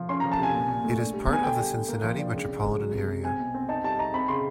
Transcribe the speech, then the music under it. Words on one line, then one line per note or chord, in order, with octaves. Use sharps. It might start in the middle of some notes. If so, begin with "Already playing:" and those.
It is part of the Cincinnati metropolitan area.
Already playing: F3
C#4 C6
A#5
F3
A5
C3 G#5
A#2
A#2
A3
D4
G3
B3 G#5
D3 G5
G3
D3
A#3
F3
D4
C#3
C#3
G#3
F#3
C3
C3
C4 G#5
B2
C4
D#4 A5
G3 A5
D#4 A#5
C4 B5
C#3 C6